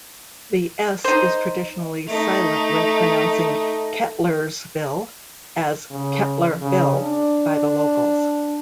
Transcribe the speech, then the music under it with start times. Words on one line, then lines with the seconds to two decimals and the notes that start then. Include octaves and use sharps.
The "s" is traditionally silent when pronouncing Kettlersville as "Kettler-ville" by the locals.
1.04 D#4 C5
2.07 A3 D#4
5.91 C#3
6.61 C#3
7.00 D4